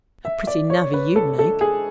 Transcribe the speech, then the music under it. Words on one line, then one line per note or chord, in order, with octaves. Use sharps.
'A pretty navvy you'd make!
E5
D5
C#5
B4
A4
A4
G#4